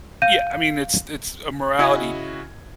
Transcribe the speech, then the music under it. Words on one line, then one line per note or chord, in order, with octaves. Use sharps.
yeah, I mean, it's it's a morality
F5 G6 D#7
C#3 E4 F#4 D#5 G#5 G#6